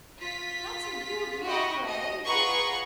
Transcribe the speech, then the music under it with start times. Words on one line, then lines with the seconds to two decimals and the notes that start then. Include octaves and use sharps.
'That's a good long way.
0.21 F4 B6
1.44 F#4 G4 D#5
1.87 D#5
2.25 F4 G#4 B4 F#5 A#5 C#6